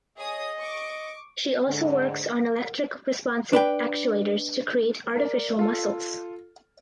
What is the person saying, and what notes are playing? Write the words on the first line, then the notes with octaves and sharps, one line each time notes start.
She also works on electric responsive actuators to create artificial muscles.
G#4 C#5 D#5 D#6
C#6 D6
G#2 D3
D4 B4 G5
A#4 D5
F4 A4